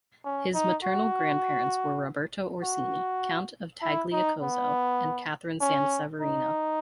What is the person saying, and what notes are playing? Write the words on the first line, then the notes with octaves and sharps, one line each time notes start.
His maternal grandparents were Roberto Orsini, Count of Tagliacozzo and Catherine San Severino.
C#4
D#4
F#4
F#4
E4
D#4
B3
C#4
D#4